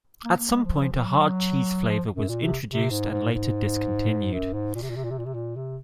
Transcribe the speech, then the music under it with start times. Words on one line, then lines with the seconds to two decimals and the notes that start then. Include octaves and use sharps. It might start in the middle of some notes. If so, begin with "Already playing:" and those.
At some point a Hard Cheese flavour was introduced and later discontinued.
0.25 A#3
0.38 A#3
0.52 G#3
0.65 F3
0.80 F3
0.93 F3
1.07 F#3
1.88 F3
2.15 F#2
2.29 A#2
2.43 C3
2.70 C3
2.91 G#2
3.11 G#2
3.31 G#2
4.33 F#2
4.53 G#2
4.75 A#2
4.82 C3
4.90 A#2
4.96 C3
5.04 A#2
5.11 C3
5.19 A#2
5.26 C3
5.34 A#2
5.56 C3